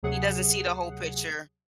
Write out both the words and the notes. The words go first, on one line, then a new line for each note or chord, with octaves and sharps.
He doesn't see the whole picture.
D2 C3 F#3 G#4 F#5